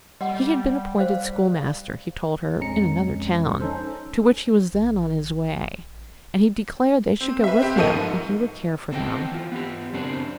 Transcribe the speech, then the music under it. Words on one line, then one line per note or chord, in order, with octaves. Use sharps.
He had been appointed schoolmaster, he told her, in another town, to which he was then on his way, and he declared they should go with him and he would care for them.
G3 D#5 F#5
C5 F5
A#1 F2 G#3 C#4 A#5 C#7
C#4 D#4 A4 C5
A1
C4
B4 E5
C4 G4
F#1 F3 A#3 A4 D#5 D#7
G#2
B3 C4 A4 D#5 G5
E3 F4
B3 G4
F#2 C#3 C4 D4